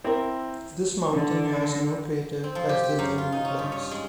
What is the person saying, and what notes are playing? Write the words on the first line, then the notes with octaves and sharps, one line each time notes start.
This mountain has no crater as the name implies.
C4 E4 A#4
D3
C4
F3
G4
G4
F#2
F4
D#4
C#4
G2
C#5
G#3